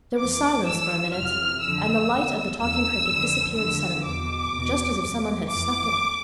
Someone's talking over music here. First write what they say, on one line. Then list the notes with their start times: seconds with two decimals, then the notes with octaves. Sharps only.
There was silence for a minute and the light of the Talking Cricket disappeared suddenly, just as if someone had snuffed it out.
0.17 F2 E3 D6
0.66 F2 E3 E6
1.14 F2 C3 E3 F6
1.62 F2 D3 F3 E6
2.11 E2 B2
2.59 E2 D3 F3 E6
3.07 F2 D3 F3
3.55 E2 D3 F3 E6
4.03 E2 B2 D6
4.52 E2 B2
5.00 E2 B2
5.48 F2 E3 D6